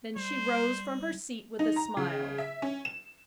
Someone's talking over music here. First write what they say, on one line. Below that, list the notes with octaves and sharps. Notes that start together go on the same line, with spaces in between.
Then she arose from her seat with a smile.
G3 C5
D#4
A#5
C#3
E5
C#4
E7